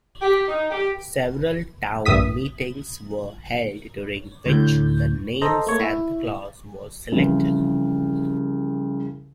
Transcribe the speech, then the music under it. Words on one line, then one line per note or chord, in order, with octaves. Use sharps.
Several town meetings were held, during which the name "Santa Claus" was selected.
G4
D#4
G4
A#1 G2 E5 D#6 B6
D2 A2 G6
A4 C5 D#5 A#5
A3 A#3 C#5
E4
C2 C#3 E3 F3